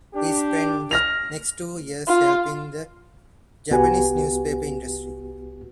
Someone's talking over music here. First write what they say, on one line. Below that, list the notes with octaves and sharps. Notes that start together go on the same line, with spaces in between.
He spent the next two years helping the Japanese newspaper industry.
D4 G4
F6 A#6 F7
F4
C2 B3 F#4 G4 B4 G#5